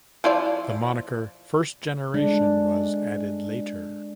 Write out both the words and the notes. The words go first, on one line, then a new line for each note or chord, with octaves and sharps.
The moniker "First Generation" was added later.
F3 E4 D5
G#3 D4